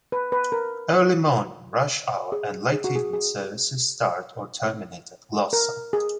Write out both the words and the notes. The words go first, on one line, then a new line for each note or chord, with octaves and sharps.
Early morning, rush hour and late evening services start or terminate at Glossop.
B4
B4
A#4
G#4
G#4
F#4
G#4
G#4
A#4
G#4